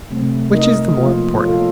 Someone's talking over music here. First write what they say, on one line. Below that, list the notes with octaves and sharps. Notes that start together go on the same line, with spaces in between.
Which is the more important?
C3 F#3 A3 C4
A3 D#4 A#4 D#5
F3 A#3 F4
A#3 F4 A4 C#5 F5